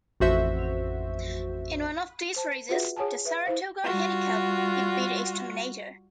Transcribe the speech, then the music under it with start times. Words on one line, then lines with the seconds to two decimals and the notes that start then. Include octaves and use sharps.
In one of these races, the Saratoga Handicap, he beat Exterminator.
0.20 A1 F2 F#4 C5 E5
2.36 C5 A5
2.69 F4 F#4 G#4 B4 E5 F#5
2.96 G#4 C#5 F#5 G#5 A5
3.25 B4 E5
3.46 E4 C5 F5
3.83 G3 F4 F#4